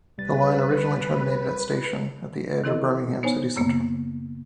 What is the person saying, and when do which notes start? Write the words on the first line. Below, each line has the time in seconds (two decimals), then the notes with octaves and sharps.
The line originally terminated at station at the edge of Birmingham City Centre.
0.18 C2 G3 B4 A6
2.64 D#3 E3 C4 E4 A4 D#5
3.23 B3 D#4 C5 C#5 G#5
3.56 F#2 C#3 A#3 B3